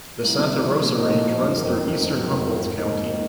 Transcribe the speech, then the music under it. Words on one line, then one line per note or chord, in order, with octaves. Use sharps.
The Santa Rosa Range runs through eastern Humboldt County.
C2
C3 F3 C4
C2
C3 F3 C4
A#2
F3 A#3 D#4 F#4
A#2
F3 A#3 D#4 F#4
F#1
D#3
F2
F#1
F2 D#3
F#1
F2 D#3 F#3
F#1
F2 D#3 F#3
G#2
D#3 A#3 D#4 A#4
G#2
D#3 A#3 D#4 A#4